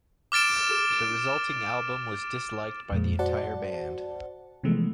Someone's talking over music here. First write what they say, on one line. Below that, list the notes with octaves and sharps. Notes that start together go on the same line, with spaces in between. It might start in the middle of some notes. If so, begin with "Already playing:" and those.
The resulting album was disliked by the entire band.
D6 F6 A6 D7 E7
F2 A#2 G#3
F#4 C5 D5 F#5 A5
C3 E3 F3 G#3 A3 B3